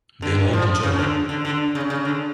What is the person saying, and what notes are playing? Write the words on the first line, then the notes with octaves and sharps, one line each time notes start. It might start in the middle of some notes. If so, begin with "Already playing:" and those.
They liked each other.
D3
F3
C#3
D3
D3
D3
C#3
C#3
D3